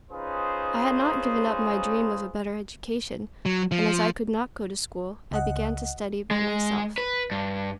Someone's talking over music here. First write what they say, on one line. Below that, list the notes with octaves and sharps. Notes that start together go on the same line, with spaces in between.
I had not given up my dream of a better education, and as I could not go to school, I began to study by myself.
C#4 D#4 F4 G#4 B4 C5
F#3
F3
C#2 D#5 F#5
G#3
B4
G2